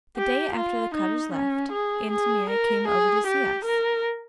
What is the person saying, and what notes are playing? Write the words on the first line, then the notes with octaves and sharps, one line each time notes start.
The day after the Cutters left, Antonia came over to see us.
G4
F4
D#4
C#4
G#4
G#4
A#4
G#4
G4
A#4